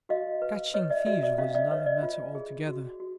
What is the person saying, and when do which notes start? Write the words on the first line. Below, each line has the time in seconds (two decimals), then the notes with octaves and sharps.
Catching thieves was another matter altogether.
0.09 F#4 D#5 F5
0.42 B4
0.74 B4 C#5 D#5
0.90 D5 E5
1.06 F#4 D5 E5
1.23 D5 E5
1.38 C#4 D#5 F5
1.55 D5 E5
1.71 B4 C#5 D#5
1.86 D5
2.03 F4
2.35 G#4
2.67 F#4
3.00 F#4